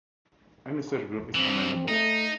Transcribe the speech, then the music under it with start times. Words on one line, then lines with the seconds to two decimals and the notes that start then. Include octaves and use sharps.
Any such group is amenable.
1.35 G2 E3 C4
1.88 A3 D#4